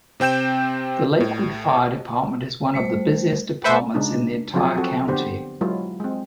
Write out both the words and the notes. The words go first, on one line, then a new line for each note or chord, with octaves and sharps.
The Lakewood Fire Department is one of the busiest departments in the entire county.
C3 C4 G5 G6 E7
A2
G3 A3 C5
A3 A4 B4 C5 E5 D6
C#3 G#3 D4 D#4
F3 F#3 C4 F4 G#4
C4 F#4 A4
D3 B3 G4 C5
F#3 G#3 E4 F4
G#3 C4